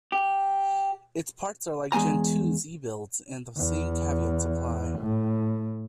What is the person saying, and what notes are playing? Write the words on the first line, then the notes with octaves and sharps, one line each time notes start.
Its ports are like Gentoo's ebuilds, and the same caveats apply.
G4
E2 G#3 B3 G#5 A#5
E2
A2